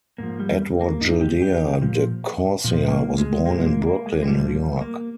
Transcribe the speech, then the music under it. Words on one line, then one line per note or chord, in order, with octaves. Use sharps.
Edward Gildea De Corsia was born in Brooklyn, New York.
G#2 F3 A#3
G3
A#3
G#2 F3 D#4
G4
G4
A#2 F3
A#2 F3
A#3
G#3
A#2 F3 G#3
A#3
A#3
G#3
G#3
A#2 F3 G3
A#3